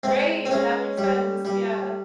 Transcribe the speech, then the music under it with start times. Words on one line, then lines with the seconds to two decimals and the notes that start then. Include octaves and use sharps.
Right, that makes sense, yeah.
0.03 G#3 C4
0.45 C4
0.51 G#3 C#4
0.98 G3
1.45 G3